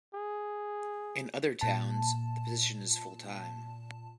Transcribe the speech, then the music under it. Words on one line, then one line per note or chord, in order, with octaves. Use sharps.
In other towns, the position is full-time.
G#4
A#2 A5